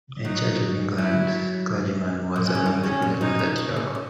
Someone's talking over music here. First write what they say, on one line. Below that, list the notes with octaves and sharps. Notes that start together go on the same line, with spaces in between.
A Church of England clergyman was among the prisoners at York.
F#3 D#4
F#3 E4
A#2
B2 C#4
C#3
D#3
C#3 C#4
A#2
B2 D#4
C#3
B2
C#3
C#3